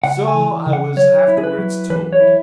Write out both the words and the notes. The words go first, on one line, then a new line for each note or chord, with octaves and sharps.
So I was afterwards told.
C#3 F#5
G#5
E3
C#3
F#5
F#3 C#5
E4
G#4
B4
F#3
E3 B4
C#5
E4